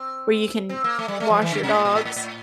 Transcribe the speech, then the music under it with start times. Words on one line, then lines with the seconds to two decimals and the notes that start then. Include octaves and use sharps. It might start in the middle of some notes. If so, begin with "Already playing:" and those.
where you can wash your dogs
Already playing: C4
0.69 C4
0.84 A#3
0.99 A3
1.08 G3
1.20 A3
1.30 F3
1.42 E3
1.52 D3
1.63 C3
1.73 A2
1.85 A#2
1.95 A2
2.05 A2
2.16 A2